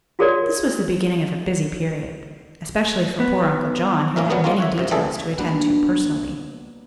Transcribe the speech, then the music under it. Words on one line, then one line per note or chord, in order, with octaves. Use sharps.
This was the beginning of a busy period, especially for poor Uncle John, who had many details to attend to personally.
F4 F#4 G#4 A#4 C#5 D5
B3
A1 A#3 C#4 A#4 E5
A#2 F#3 G3 B3 D#5
G#3 A#3 C4 C#4 F4 A#4
F#4 C#5 E5
F#2 C3
E3 G3 A3 G#4 A4
G3 A#3 B3 D4 F#4 G4